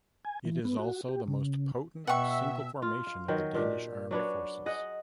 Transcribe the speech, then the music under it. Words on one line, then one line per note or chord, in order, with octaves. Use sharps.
It is also the most potent single formation of the Danish armed forces.
G#5
E3
B3
F#4
G4
C#3
B2 B4 E5 F#5 G5 C#6
F4
F5
D#3 F#3 G5
A#2 D4 G4
F#3 D4 B4 C#5
G#4 D#5 F#5